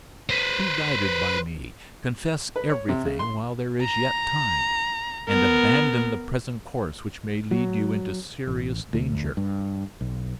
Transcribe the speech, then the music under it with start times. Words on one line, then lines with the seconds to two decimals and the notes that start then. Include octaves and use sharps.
Be guided by me; confess everything, while there is yet time; and abandon the present course which may lead you into serious danger.
0.30 B4 C5
2.56 B4
2.69 C#5
2.89 C3
3.05 C#3
3.19 C6
3.83 A#5
5.29 B3 A#4
7.51 F#3
8.47 A1
8.93 D2
9.37 G2
10.01 B1